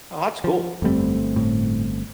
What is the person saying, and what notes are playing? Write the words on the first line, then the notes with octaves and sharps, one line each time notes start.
Oh, that's cool.
F3
G1 F2 G3 A3 C4
A2